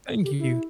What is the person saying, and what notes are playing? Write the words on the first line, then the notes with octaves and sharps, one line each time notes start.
Thank you.
A4
G4
E4